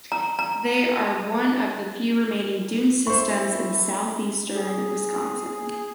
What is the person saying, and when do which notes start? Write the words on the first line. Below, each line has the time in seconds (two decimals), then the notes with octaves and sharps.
They are one of the few remaining dune systems in Southeastern Wisconsin.
0.12 A#5
0.39 A#5
3.07 E4 C5 C#6
4.55 G#4